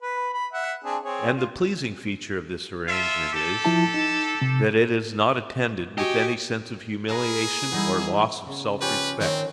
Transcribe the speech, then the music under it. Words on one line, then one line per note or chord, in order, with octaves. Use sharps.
And the pleasing feature of this arrangement is, that it is not attended with any sense of humiliation or loss of self-respect.
B4 B5
B5
E5 F#5
C4 D4 G#4
C4 G#4 C#5
F4
F4 A4 E5
G4 A4
F3 E4 A5
D#4
C3
F#4 G4 D#5 G#5 C#6
A#3 G#4 A#4 B4
E3 G3 B3 D#4 E4
C#3
F3 C#4 G4 B4
D#3 C4 A#4 C#5